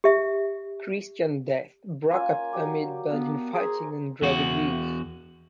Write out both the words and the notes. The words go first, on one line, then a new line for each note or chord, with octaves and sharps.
Christian Death broke up amid band infighting and drug abuse.
G4 E5
A#3 C#4 F4 G#5
F#3 G4 D5
B3 A#4 F5 A5
G#4 C5 G#5 A#5
E2 F#4